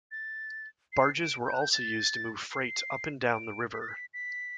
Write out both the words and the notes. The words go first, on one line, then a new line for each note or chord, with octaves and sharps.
Barges were also used to move freight up and down the river.
A6
C7
D7
G6
F#6
G6
A6
C7
D7
B6
A6
B6
B6